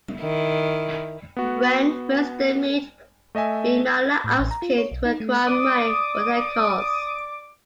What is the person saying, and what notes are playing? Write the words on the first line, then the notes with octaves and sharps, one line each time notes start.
When first they meet, Bimala asks him to acquire money for their cause.
D#3 E4
B3 F#4
A3 D#5 E5 G#5
A2
A1
A#5
F4
C#5
B1
D#4
A3
D5 D6 D#6